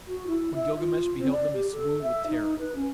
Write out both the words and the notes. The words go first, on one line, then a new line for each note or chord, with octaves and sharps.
When Gilgamesh beheld them he swooned with terror.
F#4
E4
E5
F4
C4
D5
G4
A4
E5
D#4
B4
C#4